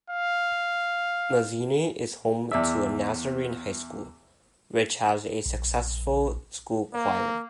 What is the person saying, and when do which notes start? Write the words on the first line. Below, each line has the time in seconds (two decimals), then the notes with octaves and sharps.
Manzini is home to a Nazarene High School, which has a successful school choir.
0.10 F5
2.51 E2 D5 E5
5.46 A#1
6.94 A#3